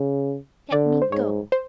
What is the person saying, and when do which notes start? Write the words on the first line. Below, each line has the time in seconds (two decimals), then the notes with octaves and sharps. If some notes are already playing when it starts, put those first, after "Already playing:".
"Let me go."
Already playing: C#3
0.72 D3 D5
1.02 C5
1.12 G#2 C#5
1.52 C5